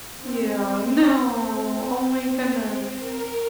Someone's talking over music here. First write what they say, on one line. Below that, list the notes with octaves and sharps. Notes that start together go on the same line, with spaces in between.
Yeah, no, oh my goodness.
C4
C4
A#4